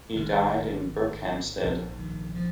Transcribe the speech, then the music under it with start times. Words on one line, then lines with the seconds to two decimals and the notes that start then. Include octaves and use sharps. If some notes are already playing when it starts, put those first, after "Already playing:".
He died in Berkhamsted.
0.15 G#1 G#2 D#3
1.62 A#1 G#2 F3
1.99 D#3
2.36 F3